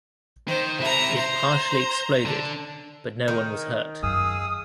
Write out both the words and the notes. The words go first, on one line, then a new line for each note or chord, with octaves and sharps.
It partially exploded but no one was hurt.
D#3 C5
C3 E4 E5 A#5
C5 A#5
D3 D4
D#3
F#2 G#4 F5 D#6 E6